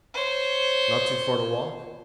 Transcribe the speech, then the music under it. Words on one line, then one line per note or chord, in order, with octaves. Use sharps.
"Not too far to walk?"
C5 C#5